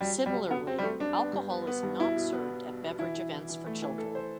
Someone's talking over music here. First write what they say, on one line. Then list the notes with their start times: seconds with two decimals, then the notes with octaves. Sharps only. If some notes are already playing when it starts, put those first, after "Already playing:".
Similarly, alcohol is not served at beverage events for children.
0.01 F#3 G3
0.17 F#3
0.26 G3
0.34 C3
0.50 B3 F#4
0.67 C3 C4
0.78 G3
0.83 A3 C4
1.00 G2 D4
1.17 B3
1.33 G2
1.50 B3
1.67 B3
1.83 G2
2.00 B2 E4
2.17 B2
2.32 B3
2.50 B2
2.66 B2
2.83 B2
2.99 E3 E4
3.16 E3
3.32 E3
3.50 E3
3.66 A3
3.82 E3
3.98 A4
4.15 C5